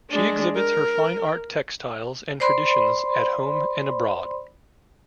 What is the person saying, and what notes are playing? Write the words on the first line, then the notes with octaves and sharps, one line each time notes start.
She exhibits her fine art textiles and traditions at home and abroad.
G#3 D4
A#4
C5 D5 B5 C6